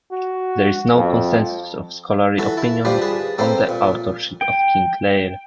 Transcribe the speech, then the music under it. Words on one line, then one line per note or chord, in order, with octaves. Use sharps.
There is no consensus of scholarly opinion on the authorship of "King Leir".
F#4
F2
E3 F#4 A4
E4 A5
G3 D4 F4 B4 C5
G#4 B4 A5
A#3 C4 A4 B4 C5
A#2
G5